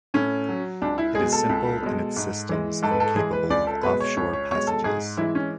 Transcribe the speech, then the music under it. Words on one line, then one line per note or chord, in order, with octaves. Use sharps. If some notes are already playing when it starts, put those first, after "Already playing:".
It is simple in its systems and capable of offshore passages.
A2 C#4
F#3
C#2 D4
E4
B2 G#3 G#4
A4
C#2
B2 G#3
G#2
E3 G#3
G#2 A4
B4
A4
E3 G#3 G#4
B4
C#2 D5
A4
B2 G#3 B4
C#5
C#2 C#5
C#5
B2 G#3 C#5
A4
G#2 G#4
E3 G#3 E4
C#4